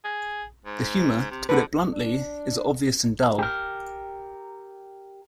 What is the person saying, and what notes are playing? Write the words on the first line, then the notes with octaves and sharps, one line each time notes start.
The humor, to put it bluntly, is obvious and dull...
G#4
G#2
C3
D3 B4 F#5
D4
G4 A#4